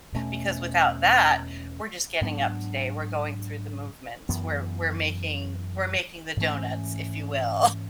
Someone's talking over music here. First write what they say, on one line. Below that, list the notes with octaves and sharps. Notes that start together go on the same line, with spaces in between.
because without that, we're just getting up today, we're going through the movements, we're we're making we're making the donuts if you will.
E2 B2 A3 C#4
G#2 F#3 B3 D4
F#2 E3 B3
G#2 E3 A3 C#4